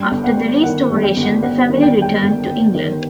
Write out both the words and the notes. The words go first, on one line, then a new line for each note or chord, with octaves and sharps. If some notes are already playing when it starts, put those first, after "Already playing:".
After the Restoration the family returned to England.
Already playing: G2 G5
G1
F#5
G1
D#3 F#5
G2
G5
G1
F#5
G1 F#5
D#3
G5
G2
G5
G1
G1
D#3